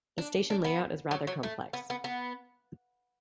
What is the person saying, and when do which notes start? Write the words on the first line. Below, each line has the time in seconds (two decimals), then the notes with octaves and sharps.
The station layout is rather complex.
0.18 D4
0.50 D4
0.64 B3
1.11 F#3
1.27 F#3
1.43 A3
1.73 B3
1.90 B3
2.04 B3